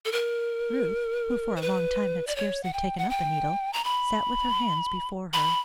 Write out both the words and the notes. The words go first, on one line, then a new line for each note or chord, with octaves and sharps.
Ruth, who for a long time had scarcely taken up a needle, sat with her hands before her.
A4
A#4
C5
B4
D5
C#5
F#5
G5
F#5
G5
A#5
B5
B5